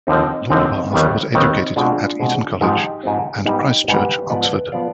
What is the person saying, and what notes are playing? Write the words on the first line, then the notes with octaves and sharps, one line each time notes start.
Lord Bath was educated at Eton College and Christ Church, Oxford.
D#2 D3 F3 C4 D#4
D#2 D3 F3 C4 D#4
D#2 D#3 G3 B3
D#2 D#3 G3 B3 C4 D#4
B2 G#3 C4 D4 F4
B2 G#3 C4
G#2 F3 G#3 C4 D#4 G4
G#2 F3 G#3 C4
G#2 G3 B3 D#4 G4
G#2 G3 B3 G4 B4
G#2 F3 B3 B4 D5
F3 B3 D5 F5